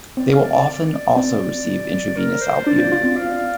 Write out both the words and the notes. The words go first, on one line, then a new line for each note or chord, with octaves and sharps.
They will often also receive intravenous albumin.
C4 D5
F5
D5
D5
D5
C4
A#4
C5
D4 D5
F4
F4
C4
F5